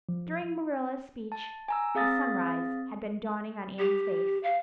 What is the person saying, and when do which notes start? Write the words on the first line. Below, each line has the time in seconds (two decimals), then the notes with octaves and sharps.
During Marilla's speech a sunrise had been dawning on Anne's face.
0.09 F3
1.32 A5
1.68 G#5 A#5 E6
1.95 C4 G#4 F5 D#6 A6 A#6
3.78 G4
4.43 F5